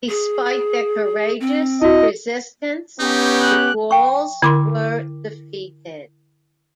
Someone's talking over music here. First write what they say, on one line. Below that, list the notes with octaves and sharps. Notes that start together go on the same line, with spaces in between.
Despite their courageous resistance, the Gauls were defeated.
G#4
C4
E4 F#4 D#5
B3 C#4 D#4 G4
F#6
G5 C#6
D3 E4 A#4 C6 D6